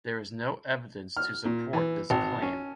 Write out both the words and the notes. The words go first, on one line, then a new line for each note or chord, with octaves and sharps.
There is no evidence to support this claim.
F6
A#2
E3
G#1
C#4